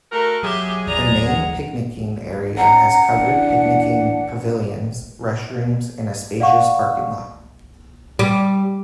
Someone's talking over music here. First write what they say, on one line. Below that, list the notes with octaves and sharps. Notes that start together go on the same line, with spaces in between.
The main picnicking area has covered picnicking pavilions, restrooms, and a spacious parking lot.
A3 F#4 A#4
F#3 G#3 G4 G#4 E5
D#2 D#3 F#3 D5 A#5
F#5
C#4 F#5 A#5
E3 D4
D5 F5 F#5 C#6
G3